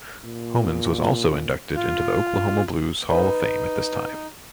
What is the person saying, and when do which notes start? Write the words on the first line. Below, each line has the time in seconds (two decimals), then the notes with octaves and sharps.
Homans was also inducted into the Oklahoma Blues Hall of Fame at this time.
0.25 A#2
1.76 F4
3.12 D#4 B4